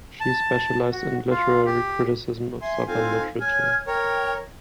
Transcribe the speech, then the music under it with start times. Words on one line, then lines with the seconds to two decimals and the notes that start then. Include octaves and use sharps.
She specialized in literary criticism of Southern literature.
0.20 A5
0.92 F#4
1.30 F4
1.66 G4
2.61 E5 G#5 C6
2.87 C4 D#4 F4 A4 F5 G#5
3.40 C#5 G#5 F6 G#6
3.87 A#4 C#5 G5